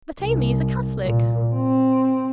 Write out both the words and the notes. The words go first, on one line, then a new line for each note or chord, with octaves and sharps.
"But Aimee is a Catholic?"
C2
A#2
C4